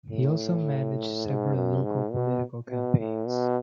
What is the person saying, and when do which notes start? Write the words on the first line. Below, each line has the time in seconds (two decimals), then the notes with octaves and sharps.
He also managed several local political campaigns.
0.11 A2
1.26 G#2
1.55 F#2
1.83 G#2
2.12 B2
2.70 B2
2.98 A2
3.27 B2